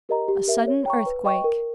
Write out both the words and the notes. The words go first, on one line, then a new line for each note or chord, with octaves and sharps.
A sudden earthquake.
G4 A#4 D#5 A#5
G4
A#4 E5
C#5
G5 A#5 C#6
B4
D#5 G5 C#6
A#4